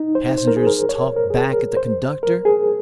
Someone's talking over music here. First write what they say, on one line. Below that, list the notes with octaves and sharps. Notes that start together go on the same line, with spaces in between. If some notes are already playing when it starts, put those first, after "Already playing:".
Passengers talk back at the conductor.
Already playing: D#4
C5
C5
A#4
G#4
A#4
C#5
C5
A#4
G#4
A#4
C5
A#4
G#4